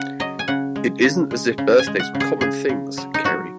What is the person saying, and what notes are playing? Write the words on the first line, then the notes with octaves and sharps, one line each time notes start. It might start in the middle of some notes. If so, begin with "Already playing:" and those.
It isn’t as if birthdays were common things, Kerry.
Already playing: C#3 F#5
F#3 D#5
G#5
C#3 F#5
G#3
C#3
G#3
C#3
G#5
G#3
F#5
C#3
G#4
C#3 G#4
C#3
F#3
D#4
F#3 F#4